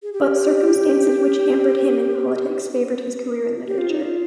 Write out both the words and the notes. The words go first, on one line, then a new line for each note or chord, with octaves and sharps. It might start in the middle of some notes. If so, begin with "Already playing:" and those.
But circumstances which hampered him in politics favoured his career in literature.
G#4
G4
G4
F4
D#4
F4